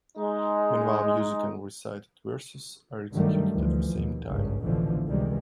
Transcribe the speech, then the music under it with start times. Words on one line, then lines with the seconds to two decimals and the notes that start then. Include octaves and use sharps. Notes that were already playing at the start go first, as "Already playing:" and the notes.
Meanwhile music and recited verses are executed at the same time.
0.17 G#3 D#4
3.12 G2 D3 D#3 F#3 G3 A3
3.52 D2 E3 F3
3.96 D#2 B2
4.27 G#1 C#2 G2 C#3
4.63 A1 B2 D3 E3 F3
5.07 C#2 C3 D#3 E3 G3 G#3